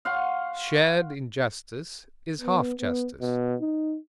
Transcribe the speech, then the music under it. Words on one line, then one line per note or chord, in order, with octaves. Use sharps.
Shared injustice is half justice.
F5 F#5 C6 C#6
B3
B3
B2
D#4